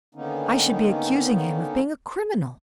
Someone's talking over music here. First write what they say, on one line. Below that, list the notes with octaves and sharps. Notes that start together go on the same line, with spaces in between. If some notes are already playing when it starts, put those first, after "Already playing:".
I should be accusing him of being a criminal.
D3 D#3 A#3 B3 C#4 D#4